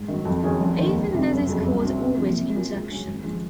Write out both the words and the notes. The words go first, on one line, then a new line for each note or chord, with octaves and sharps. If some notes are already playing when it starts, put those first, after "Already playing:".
Often this is called orbit injection.
Already playing: G#2
D#3 F#3
F2
D#3 F#3 C#4 G#4
F1
D#2 D#3
C#2
C3 F#3
F#1
F2 C#3 F#3
C2
C3 F#3 C4
C3
F3 A#3
C3
F#3 C#4 F4 A#4
C#2
C#3 F#3 C#4
G#1
F3 G#3